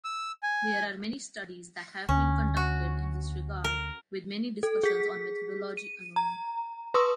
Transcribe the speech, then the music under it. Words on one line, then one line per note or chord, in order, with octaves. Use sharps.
There are many studies that have been conducted in this regard, with many discussions on methodology alone.
E6
G#5
D2 C#4
F#4
A#4
A4
G#4 B6
D#7
A#5
B4 C6 C#6 D#6 E6